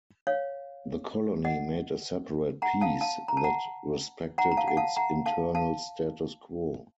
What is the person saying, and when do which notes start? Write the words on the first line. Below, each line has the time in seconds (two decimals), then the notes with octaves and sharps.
The colony made a separate peace that respected its internal status quo.
0.27 C#5 F5
1.45 D#5 F#5
2.62 F#5 A#5
2.81 F5 A5
3.01 F5 A5
3.28 A#5
3.37 A5
3.44 F#5 A#5
4.38 F#5 A#5
4.52 A#5
4.57 F5 A5
4.68 F#5
4.77 F5 A5
4.97 F#5 A#5
5.26 F5 A5
5.55 F5 A5